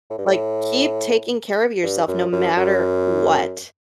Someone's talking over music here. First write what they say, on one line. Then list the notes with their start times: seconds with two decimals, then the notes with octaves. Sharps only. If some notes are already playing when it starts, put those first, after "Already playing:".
Like, keep taking care of yourself no matter what,
0.11 A2
0.18 G2
0.26 A2
1.83 G2
2.08 F#2
2.32 F#2
2.57 F#2